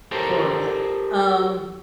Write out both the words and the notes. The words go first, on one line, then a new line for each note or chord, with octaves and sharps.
horrible. Um
G4 A4 A#4 C5 C#5